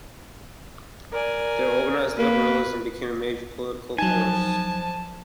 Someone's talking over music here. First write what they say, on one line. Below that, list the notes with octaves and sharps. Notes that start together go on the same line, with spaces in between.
Their organized liberalism became a major political force.
A#4 D5 G#5
A#3 B4
F3 F#3 D#4 G#5 A5